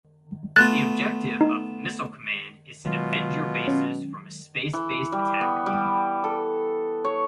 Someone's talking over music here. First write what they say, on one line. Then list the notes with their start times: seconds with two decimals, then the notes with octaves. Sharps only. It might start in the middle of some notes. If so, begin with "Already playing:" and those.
The objective of "Missile Command" is to defend your bases from a space-based attack.
0.56 A3 B3 F4 F#6 A6
1.41 D#4
2.85 B2 D#3 F#3 G#3 F4
3.67 C#4
4.73 E3
5.12 G3
5.41 B3
5.66 G3
6.24 A4
7.04 C#5